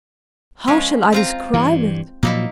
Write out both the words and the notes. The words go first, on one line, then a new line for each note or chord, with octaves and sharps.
How shall I describe it?
F3 G#3 C#4
C4 F4 A#5
G2 E3
A#2 F3 F#3 A#3 D#4 E4